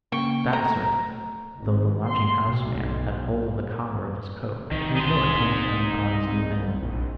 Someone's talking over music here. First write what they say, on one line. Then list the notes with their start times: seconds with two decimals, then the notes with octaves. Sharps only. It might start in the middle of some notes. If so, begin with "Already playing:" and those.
Vavasor, though the lodging-house man had hold of the collar of his coat, made no attempt to turn upon his new enemy.
0.12 C#3 A#3 G5 C#6
0.53 A3 A#5
1.58 G#1
2.07 C6
2.47 B1
4.71 C2 D#3
4.96 D#4 C6
6.82 A#1